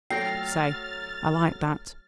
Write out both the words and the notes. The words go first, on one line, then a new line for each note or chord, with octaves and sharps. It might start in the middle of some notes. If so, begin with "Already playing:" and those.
Say, I like that!
F#3 A3 G5 F6 A6 A#6 C7